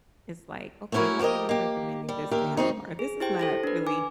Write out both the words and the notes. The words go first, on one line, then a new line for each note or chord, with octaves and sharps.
it's like, "Okay, why are they recommending this to him?" Or, "This is not really
A3 B3 C#4 E4 F#4 A#4
F3 F#4 G4 A#4 D#5
A#3 G4
G3
D#2 G4 A#4 E5
F#2 C4 D#4
G#4
E4 G4 C5 G5
A4 C5 A#6
D4 B4
G#5 D6